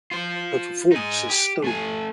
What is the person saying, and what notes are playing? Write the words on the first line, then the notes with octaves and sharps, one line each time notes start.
Her performance is stunning.
F4 C5
D#4 G#4
G4
A3 G#5